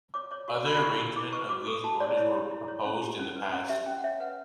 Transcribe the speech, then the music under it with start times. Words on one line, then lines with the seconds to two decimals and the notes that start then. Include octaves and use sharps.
Other arrangements of these orders were proposed in the past.
0.14 C#5 D6
0.31 C#5 D6
0.48 F#4 C#6
0.65 F#4 B5
0.82 E4 C#6
0.99 G4 E6
1.16 E4 D6
1.32 B4 C#6
1.49 F#4 D6
1.67 A4 C#6
1.84 F#4 A5
2.00 C#5 D5
2.17 E4 C#5
2.35 G4
2.51 E4
2.68 C#5
2.85 C#4
3.02 G4
3.19 C#4
3.36 B4
3.53 C#4
3.69 G4 E5
3.86 C#4 G5
3.98 F#5
4.04 C#5 E5
4.20 B4 F#5